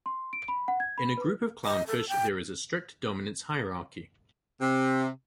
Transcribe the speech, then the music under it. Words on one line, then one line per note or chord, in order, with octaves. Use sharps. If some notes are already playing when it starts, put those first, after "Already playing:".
In a group of clownfish, there is a strict dominance hierarchy.
C6
D7
B5
F#5
G#6
B5
B4
D#5
A4
G5
C3